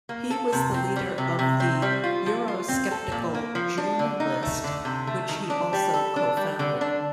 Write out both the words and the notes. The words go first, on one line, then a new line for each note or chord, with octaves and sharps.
He was the leader of the eurosceptical June List, which he also co-founded.
A#3
A4
C3
C4
G3
C3
C3
C4
G3
F4
F3
F4
C4
A4
A#2
A#3
F3
D4
D3
D#4
A3
D3
C3
A3
D#3
D4
G3
A4
D4
G3
D3
D4